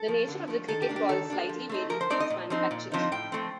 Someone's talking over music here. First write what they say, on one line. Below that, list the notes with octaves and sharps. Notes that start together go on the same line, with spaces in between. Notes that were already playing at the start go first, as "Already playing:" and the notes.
The nature of the cricket ball slightly varies with its manufacturer.
Already playing: A4
F3 A3
D3
F3 A3
D#3 A4
G4
A#3 D4
G4
D#3 A4
A#3 D4
F3
A3 C4 D#4
F3 A#4
C5
A3 C4 D#4 D5
D#5
A#2
F3 C4 D#4
A#2
F3 C4 D#4
A2 G5
F3 A3 C4